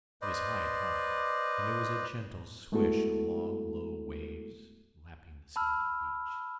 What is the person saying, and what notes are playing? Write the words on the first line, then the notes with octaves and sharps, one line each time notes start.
It was high tide, and there was a gentle swish of long low waves lapping the sandy beach.
B4 C5 D5 D#5
G#3 A3 B3 E4 F#4 A4
A5 B5 E6 F6